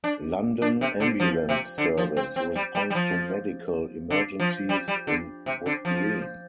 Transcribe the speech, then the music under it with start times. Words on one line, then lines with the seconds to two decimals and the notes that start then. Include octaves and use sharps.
London Ambulance Service responds to medical emergencies in Wood Green.
0.04 D4
0.62 D4
0.81 C3
1.00 D3
1.20 F3
1.49 C3
1.78 D3
1.97 F3
2.17 C4
2.36 C4
2.55 G3
2.75 G3
2.90 G3
2.95 F3
4.10 D3
4.40 F3
4.69 G3
4.88 G3
5.07 D3
5.46 C3
5.66 D3
5.85 F3